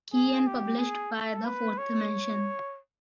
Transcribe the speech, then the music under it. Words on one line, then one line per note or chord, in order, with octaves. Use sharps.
Key and published by The Fourth Dimension.
G#4
G4
G#4
A4
B4
C#5